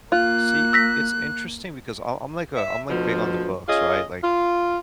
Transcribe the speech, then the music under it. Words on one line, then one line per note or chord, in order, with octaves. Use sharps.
See, it's interesting because I I'm, like, a I'm, like, big on the books, right? Like,
A#3 F4 F#6
E6 A#6 B6
E5
D2 B2 F3
C#4 F4 G#4 D#5
F4